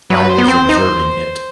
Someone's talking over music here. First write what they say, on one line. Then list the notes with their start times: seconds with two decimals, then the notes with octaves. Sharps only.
I was observing it.
0.10 F#3 B4
0.29 C5
0.38 B3
0.48 C4
0.69 D#4